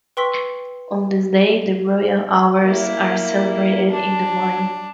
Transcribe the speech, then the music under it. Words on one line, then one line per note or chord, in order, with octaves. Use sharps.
On this day the Royal Hours are celebrated in the morning.
B4 G5 C6 C#6 E6 B6
A#3 E4
D4